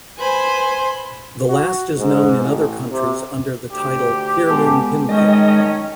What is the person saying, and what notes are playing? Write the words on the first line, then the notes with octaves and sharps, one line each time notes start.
The last is known in other countries under the title "Pirlimpimpim".
B4 C5 G#5 B5 C6
F#4
G#2
A1
C3
D2 G4
G#3 B3 A4
D#3 G#3 C#4 D#5 G5